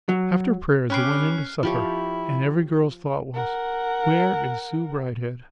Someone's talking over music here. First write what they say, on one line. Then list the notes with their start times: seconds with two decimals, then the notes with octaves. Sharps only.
After prayers they went in to supper, and every girl's thought was, Where is Sue Bridehead?
0.09 F#3
0.90 C#4 G4 B5 D6 F6 F#6 C7
1.63 F3 E4 G4 C#5
3.33 A#4 F#5